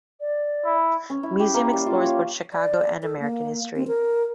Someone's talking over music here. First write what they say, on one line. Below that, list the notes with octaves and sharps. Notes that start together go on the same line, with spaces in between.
The museum explores both Chicago and American history.
D5
E4
C#4
E4
G4
A#3
G3
F4
C#5
D5
A4
A#3
C4
A#4